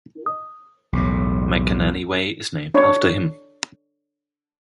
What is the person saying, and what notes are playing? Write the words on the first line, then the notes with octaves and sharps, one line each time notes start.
McAnany Way is named after him.
B1 E2 A2
D4 C#5